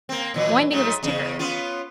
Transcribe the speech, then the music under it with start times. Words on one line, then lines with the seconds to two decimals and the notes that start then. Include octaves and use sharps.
Winding of his ticker.
0.09 A#3 C4
0.34 A#2 E3 F#3
0.71 G#2 F#3 A3
1.03 E2 C#3
1.39 B3 C#4 F4